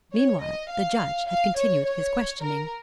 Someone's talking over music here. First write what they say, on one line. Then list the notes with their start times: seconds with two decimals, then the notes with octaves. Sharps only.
Meanwhile, the Judge had continued his questioning.
0.14 C#5
0.42 D#5
0.71 F5
1.29 F5
1.58 C#5
1.87 C#5
2.44 A#4